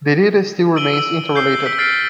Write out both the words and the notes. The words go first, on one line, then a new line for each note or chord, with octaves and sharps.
The data still remains interrelated.
E6 D7 D#7 F#7 G7
E6
G6 C7 G7
E6 B6 D7
F6 A6 B6 C7 D7